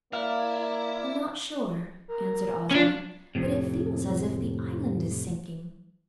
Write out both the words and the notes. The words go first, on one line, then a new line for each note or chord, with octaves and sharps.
"I'm not sure," answered Ozma "but it feels as if the island is sinking."
A#3 E4 D5 F5
A#4
C#4 D4 F4
F2 A2 C3